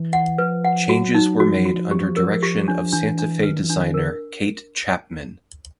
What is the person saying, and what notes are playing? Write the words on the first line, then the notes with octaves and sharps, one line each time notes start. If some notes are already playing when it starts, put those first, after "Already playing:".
Changes were made under direction of Santa Fe designer Kate Chapman.
Already playing: E3
F#5
F3 B4
F#5
F#3 F#4
D#4
F3 F#4
F3
F#4
F3
G4
A#4
G4
D4
E3 D4
D4
D#3 B4
E3
D4
D#3
D3 A#4